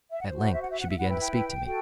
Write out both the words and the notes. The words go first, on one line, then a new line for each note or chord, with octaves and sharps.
At length she began to speak to me.
E5
F#5
F#4 C5
F#5
E5
F#5
E5
F#5
E5
E4 B4 F#5
G5
G5
F#4 A4